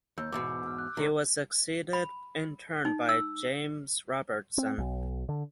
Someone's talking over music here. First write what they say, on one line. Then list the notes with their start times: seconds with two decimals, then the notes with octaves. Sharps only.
He was succeeded in turn by James Robertson.
0.18 D#2 E6 G6
0.32 E2 G#2 B2 D6 E6
0.66 E6 F6
0.78 F#6
0.97 C#2 D#3
1.93 B5
2.85 D#4
3.09 E6
4.58 C4
4.78 B1
5.29 D3